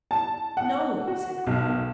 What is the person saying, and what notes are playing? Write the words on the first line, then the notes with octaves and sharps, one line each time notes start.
"No!" he said, quickly.
A5
F#5
F#4
B1